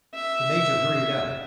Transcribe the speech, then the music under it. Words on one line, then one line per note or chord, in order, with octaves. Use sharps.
The major hurried up.
E5